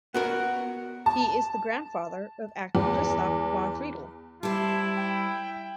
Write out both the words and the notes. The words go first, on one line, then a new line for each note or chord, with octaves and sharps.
He is the grandfather of actor Christoph von Friedl.
B3 F#4 A#4 F#5
A5
E2
G3 E4 C5 A5
G5